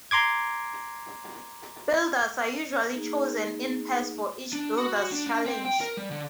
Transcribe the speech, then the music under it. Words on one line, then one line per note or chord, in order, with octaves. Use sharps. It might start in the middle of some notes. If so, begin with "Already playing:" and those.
Builders are usually chosen in pairs for each Builder's Challenge.
A#5 C6 D6 G#6
A#3 D#4 G#4
D4
F#4
F#4
D4
D4
C4
G5
A#4
G3
D3